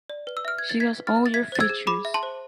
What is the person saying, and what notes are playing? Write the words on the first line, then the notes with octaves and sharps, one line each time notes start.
She has all your features.
D5
B4
E6
E5 F6
B4 G#6
A6
E5 G#6 B6
B4
F6 A6
E5
A6
E5 G#6 B6
C5 A6
E6 G#6
G#4
G#4 B5 D6
E5
A5 C6
C5